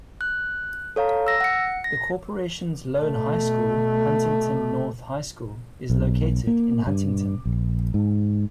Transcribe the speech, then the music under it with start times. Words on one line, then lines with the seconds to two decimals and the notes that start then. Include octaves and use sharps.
The corporation's lone high school, Huntington North High School, is located in Huntington.
0.21 F#6
0.96 A4 C#5 F5 A#5
1.27 E6 A#6
1.41 F#5 C#7
1.84 A#6
3.01 B2 A3
5.90 B1
6.47 A#3
6.87 G2
7.45 A#1
7.94 G#2